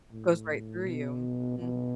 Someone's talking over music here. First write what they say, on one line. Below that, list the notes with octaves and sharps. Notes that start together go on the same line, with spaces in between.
Goes right through you, mhm.
A2
B2
B2